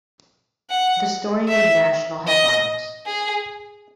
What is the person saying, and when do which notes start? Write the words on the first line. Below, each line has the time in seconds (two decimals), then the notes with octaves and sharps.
The story made national headlines.
0.70 F#5
1.48 E5
2.28 D#5
3.06 G#4